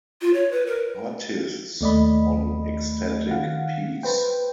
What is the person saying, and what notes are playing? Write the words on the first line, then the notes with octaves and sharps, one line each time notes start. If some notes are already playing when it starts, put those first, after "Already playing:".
Artists on Ecstatic Peace!
F4
C#5
B4
A#4
D#2 A3 D5 D#5 B5
D#3 F5 F#5
B4 C5 G5